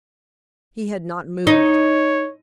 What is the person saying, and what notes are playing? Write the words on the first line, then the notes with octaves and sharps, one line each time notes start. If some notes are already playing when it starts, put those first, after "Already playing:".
He had not moved.
D#4 C#5